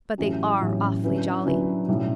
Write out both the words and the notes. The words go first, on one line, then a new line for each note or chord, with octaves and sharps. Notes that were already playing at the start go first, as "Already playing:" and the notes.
But they are awfully jolly.
A1 A2 F#3 C#4 G4
A1 A2 F#3 C#4 G4
D3 F#3 C#4 E4 B4
D3 F#3 C#4 E4 B4
B1 A2 G3 C#4